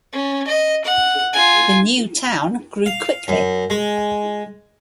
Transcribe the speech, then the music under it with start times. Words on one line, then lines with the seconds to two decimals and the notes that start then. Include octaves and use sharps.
The new town grew quickly.
0.13 C#4
0.47 D#5
0.85 F#5
1.33 F4 G#5
2.86 F5
3.28 F#2
3.70 G#3